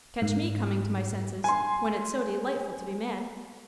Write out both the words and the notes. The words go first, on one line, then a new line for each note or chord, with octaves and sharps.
Catch me coming to my senses, when it's so delightful to be mad.
G#2
G#5 C6